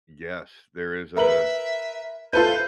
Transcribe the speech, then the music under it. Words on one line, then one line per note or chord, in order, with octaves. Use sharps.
yes, there is a
A#4 B4 E5 F#7
F4 A4 B4 C5 E5 G6 D#7